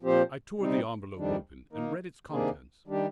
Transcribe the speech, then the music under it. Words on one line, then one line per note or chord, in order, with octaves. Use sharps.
I tore the envelope open and read its contents.
A#2 F3 C4 G4 C5
C3 G3 C4 D#4
F2 D#3 G3 D4
D#3 A#3 D#4 A#4
C3 D#3 A#3 D4 G#4
D#3 G3 D4 G4